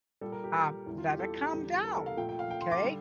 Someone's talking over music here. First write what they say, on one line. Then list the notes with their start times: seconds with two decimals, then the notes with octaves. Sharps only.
Um. Let it calm down. M'kay?"
0.21 A#2 G3 A4
0.32 A#4
0.44 G4
0.86 E2 E3 G3
0.98 F4
1.09 G4
1.19 A4
1.31 G4
1.41 G4
1.52 E2 D3 G3
1.85 A#4
1.95 A4
2.06 F5
2.17 A#2 F3 A3 G5
2.29 G5
2.39 F5
2.51 G5
2.61 C6
2.71 D6
2.83 D3 G3